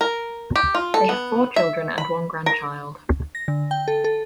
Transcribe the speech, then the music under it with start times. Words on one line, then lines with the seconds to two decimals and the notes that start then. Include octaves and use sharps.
They have four children and one grandchild.
0.01 A#4
0.56 G4
0.75 F4
0.94 A4
1.09 B3
1.56 E5
1.98 B5
2.46 A#4
3.35 A#6
3.48 D3
3.71 G5
3.88 A4
4.04 A4